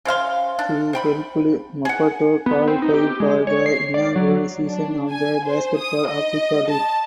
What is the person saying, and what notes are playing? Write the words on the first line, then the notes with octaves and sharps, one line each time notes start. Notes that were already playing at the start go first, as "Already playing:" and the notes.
He helped Maputo qualify for the inaugural season of the Basketball Africa League.
C#3 C5 F5 C6
D4
C5 G5 B5
G#4 F#5
B3
C4
D#4
G4
G#3
C#5
C7
D5
F#3
D4
G#5
C5
D#6
D#5
A5